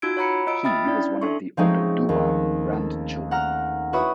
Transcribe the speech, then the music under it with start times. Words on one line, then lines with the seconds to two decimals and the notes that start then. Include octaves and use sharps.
He was one of the Oduduwa grand children.
0.02 D#4 F4 F#4 E6 G#6 D7
0.17 C#5 F#5 A#5 B5 C#7
0.47 F4 D#5 E6 D7
0.64 E5 G5 B5 D#6 F6 A6
0.84 C#4 D4 E4 D5
1.21 D4 A4 E5 C6 C#6
1.57 F3 G#3 A3 C4 C#4 D#4
2.09 D#2
2.73 A4
3.31 F#5 A#5 F6
3.93 E4 F#4 B4 C#5 E5 D#6